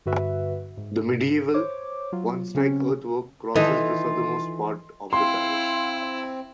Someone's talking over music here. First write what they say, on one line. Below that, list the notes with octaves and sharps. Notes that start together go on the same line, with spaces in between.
The medieval Wansdyke earthwork crosses the southernmost part of the parish.
G2 D3 F#4 B4 E5
G#2
C5 C#5 D6
F#3 F4
C#3 C4 C#4
D#3 E3 D#4 F4 A4
C4 E4 F5 C6